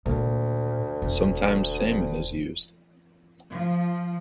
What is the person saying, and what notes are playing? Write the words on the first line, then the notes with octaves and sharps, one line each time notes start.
Sometimes salmon is used.
D2 A#2 D#3
E1
F3